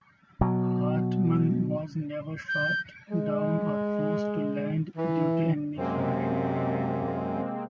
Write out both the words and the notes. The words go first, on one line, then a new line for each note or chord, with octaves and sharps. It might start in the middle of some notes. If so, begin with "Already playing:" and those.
Hartmann was never shot down or forced to land due to enemy fire.
B2 F#3
G6
G#3
E3
F#2 C3 G#3 A#3 C4